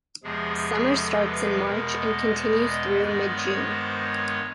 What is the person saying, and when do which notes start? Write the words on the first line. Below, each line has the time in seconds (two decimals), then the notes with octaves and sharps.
Summer starts in March and continues through mid-June.
0.23 E2 C3 F3 G#3 G#4
0.58 G#4
0.93 A4
1.28 B4
1.62 E2 B2 G#3 B3 A#4
1.97 D#5
2.32 D5
2.65 D#5
3.01 G2 D#3 G#3 B3 D5
3.35 C#5
3.70 C5
4.04 C#5